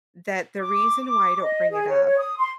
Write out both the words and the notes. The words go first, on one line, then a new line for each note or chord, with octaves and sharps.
that the reason why I don't bring it up
D6
D#5
G#4
C#5
C#5
D#6
C6